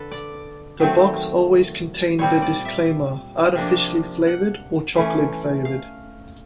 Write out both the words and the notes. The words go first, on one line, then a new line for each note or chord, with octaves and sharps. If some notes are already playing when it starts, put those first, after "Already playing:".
The box always contained the disclaimer "artificially flavored" or "chocolate flavored".
Already playing: D3 A4 B4
D5
D#3 F#3 A3 C4
A#2 G3 C4 C#5
D5
E5
C3 F3 A#3 D4
F#5
E3 A3 C#4
F5